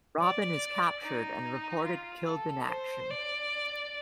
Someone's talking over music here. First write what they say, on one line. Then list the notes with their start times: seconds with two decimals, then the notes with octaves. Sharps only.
Robin is captured and reported killed in action.
0.22 D5
1.03 D#4
1.85 F4
2.27 A4
2.68 C5
3.10 D5